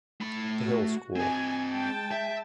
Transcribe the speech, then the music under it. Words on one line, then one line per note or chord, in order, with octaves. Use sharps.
The Hill School.
A3 B5
F#4
C4 D#5 G#5
G#3 G5 A5
E5